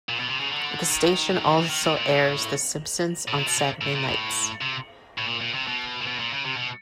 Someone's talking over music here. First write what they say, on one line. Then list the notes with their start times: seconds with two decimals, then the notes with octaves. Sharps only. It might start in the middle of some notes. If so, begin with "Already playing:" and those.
The station also airs "The Simpsons" on Saturday nights.
0.09 A#2
0.20 B2
0.29 C3
0.40 C#3
0.50 D3
0.90 D#3
1.30 F#3
1.44 F3
1.56 E3
1.69 D#3
1.83 A#2
1.96 A#2
2.09 A2
3.28 A2
3.38 A#2
3.48 B2
3.58 C3
3.81 A2
3.95 A#2
4.08 A2
4.61 C3
5.18 A2
5.27 A#2
5.40 A#2
5.54 C3
5.67 B2
6.01 A#2
6.07 B2
6.20 A#2
6.33 C#3
6.45 C3
6.57 B2